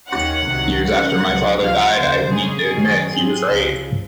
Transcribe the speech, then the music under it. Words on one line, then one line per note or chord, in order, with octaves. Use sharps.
Years after my father died I need to admit: He was right.
D#2 D#3 A#3 C#4 F#5
C2 C3 D#3 F#3
G#2 F3 A#3 C#4 F#5
C#2 C3 F#3 A#3
C#2 C3 F3 C4 F5
D#2 C#3 F3 A#3 C5
F2 C#3 G#3 C#4 G#4
F#2 D#3 F#3 C#4
G#2 F#3 C4 G#4
C#2 C#3 F3